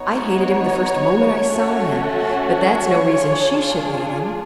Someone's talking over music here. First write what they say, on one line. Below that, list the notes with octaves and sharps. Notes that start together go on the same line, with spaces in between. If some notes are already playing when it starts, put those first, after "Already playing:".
I hated him the first moment I saw him; but that's no reason she should hate him.
Already playing: B3 D#4 F#4 C#5
A3 C#4 F#4 A4
C#5
D4 F4 G#4